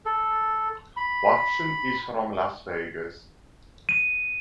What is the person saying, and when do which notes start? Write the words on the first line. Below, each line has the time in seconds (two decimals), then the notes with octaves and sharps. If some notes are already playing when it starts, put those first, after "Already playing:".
Watson is from Las Vegas.
0.06 A4
0.97 B5
3.89 D#7